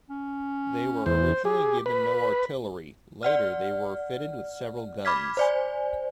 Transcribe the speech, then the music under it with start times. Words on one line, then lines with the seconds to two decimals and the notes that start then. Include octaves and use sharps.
They were originally given no artillery, later they were fitted with several guns.
0.10 C#4
1.06 E2 C5
1.45 G4 G#4
1.86 B4 B5
3.23 D5 F#5 F6
5.05 B5 D6 F6 G#6 B6
5.37 C5 D5 G#5